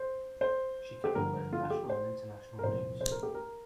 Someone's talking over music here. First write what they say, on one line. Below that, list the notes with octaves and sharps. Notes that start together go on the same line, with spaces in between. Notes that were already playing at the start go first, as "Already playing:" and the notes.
She covered both national and international news.
Already playing: C5
C5
G4
G2 D3 F3 A#4
F4
G4
C5
A#4
C2 A#2 F3 C5
C5
A#4
G4
A#4